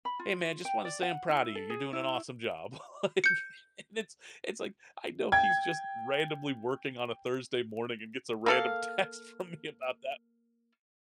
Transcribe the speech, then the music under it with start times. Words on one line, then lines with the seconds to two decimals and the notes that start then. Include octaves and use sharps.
"Hey, man, just wanted to say I'm proud of you. You're doing an awesome job," like, and it's it's like I know he's just randomly working on a Thursday morning and gets a random text from me about that.
0.05 B5
0.19 F4
0.65 G5
0.85 D5
1.02 F#5
1.29 E4
1.55 A4
1.70 G#4
1.93 E4
3.24 G6 C#7
5.32 G5 G#6
8.46 A#3 A4 F5